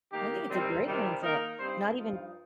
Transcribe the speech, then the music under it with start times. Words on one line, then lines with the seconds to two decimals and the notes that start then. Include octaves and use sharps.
I think it's a great mindset. Not even
0.11 D#3 A#3 D#4 G4
0.49 C3 D#3 G3 C4
0.86 C3 D#3 G3
1.22 D#3 A#3 D#4 A#4
1.59 G2 G3 C4 D#4 C5
1.96 G2 F3 D#4